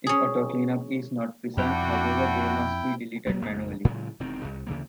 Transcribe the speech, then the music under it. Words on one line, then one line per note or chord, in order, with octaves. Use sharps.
If auto-cleanup is not present, however, they must be deleted manually.
C#4 G#4
F2 D4 E4 F#4 G5
D1 F#3 G#3 B3
A1 F2 C#3
A2 C#3 F#3 G#3
E1 B2 D#3 C4
C2
D2 C#3 E3 A#3